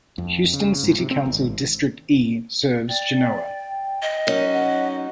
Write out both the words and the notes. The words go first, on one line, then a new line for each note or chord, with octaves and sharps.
Houston City Council District E serves Genoa.
F2
C#3
G#2
C3
C4
G#1
D5 G5
D#5
F#3 C#4 D#4 A#4
F#5